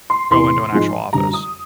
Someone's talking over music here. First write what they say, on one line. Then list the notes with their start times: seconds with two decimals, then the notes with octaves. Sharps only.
go into an actual office?
0.10 C6
0.31 E2 C3 E3 C6
0.72 G#2 F3 G#3
1.13 F#2 D3 G3 A#5
1.33 D#6